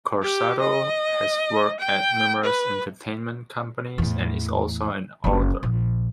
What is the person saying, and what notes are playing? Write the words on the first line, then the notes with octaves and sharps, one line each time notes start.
Corsaro has worked at numerous entertainment companies and is also an author.
G4
D#5
G5
B4
E2 A2
F#1 D3
A#1